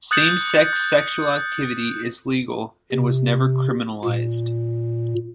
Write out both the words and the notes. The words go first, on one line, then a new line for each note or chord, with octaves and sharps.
Same-sex sexual activity is legal and was never criminalized.
D#6 F#6 G6 A6 C#7 F#7
C3
A#2